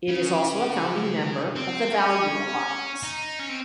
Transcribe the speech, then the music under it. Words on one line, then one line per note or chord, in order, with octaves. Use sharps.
It is also a founding member of the Value Alliance.
C#3
C4
C#4
D#4
C#4
C4